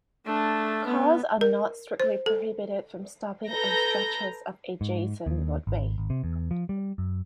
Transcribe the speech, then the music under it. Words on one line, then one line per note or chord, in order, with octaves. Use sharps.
Cars are not strictly prohibited from stopping on stretches of adjacent roadway.
A3 D4
B3
A#4
C5
A4
A4 B4 A#5 G6 A#6
G#2
D#2
G#1
G#1
C3
E2
F3
G3
F#2